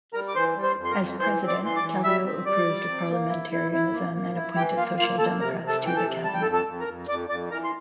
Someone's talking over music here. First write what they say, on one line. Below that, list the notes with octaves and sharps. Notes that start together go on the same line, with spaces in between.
As president, Kallio approved of parliamentarism and appointed Social Democrats to the cabinet.
G3 A#4 A#5
D6
E3 C5 C6
G3
C5 C6
F2
C6
A#4 A#5
F2
E3 C5 C6
C4
D5 D6
E3 C6
D5 D6
E3
G3 E5 E6
C4
G3 D5 D6
G3
C3
A#3
E4
E4
E4
A#3
A#3
E4
E3 G4 G5
A#3 F4 F5
A#3 F4 F5
A#3 A4 A5
C3 A#4 A#5
C3
A4 A5
E3 G5
A4 A5
C3
G3 A5
G5
A4 A5
F2
A4 A5
F2
A#4 A#5
F2
F2 D5 D6
F2 D5 D6
E3 A#4 A#5
C6